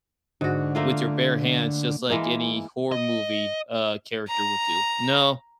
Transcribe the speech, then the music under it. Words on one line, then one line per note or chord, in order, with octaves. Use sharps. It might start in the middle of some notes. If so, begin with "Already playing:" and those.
with your bare hands, just like any horror movie, uh, character would do. No,
G#2 D3 F#4
A3 A#3 F4
E3 G#3 A#3
D#5
A#5